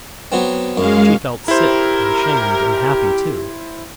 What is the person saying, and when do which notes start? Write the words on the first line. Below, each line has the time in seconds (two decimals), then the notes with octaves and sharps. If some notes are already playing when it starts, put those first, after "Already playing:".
She felt sick and ashamed and happy, too....
0.32 F#3 B3 C4
0.77 F#2 G#3 F5
1.48 E4 G4 A#4 C5